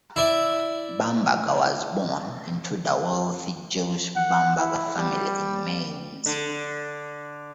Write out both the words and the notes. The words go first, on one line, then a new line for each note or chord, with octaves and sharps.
Bamberger was born into the wealthy Jewish Bamberger family in Mainz.
E4 D5 E5
F#5
E4
G3
D3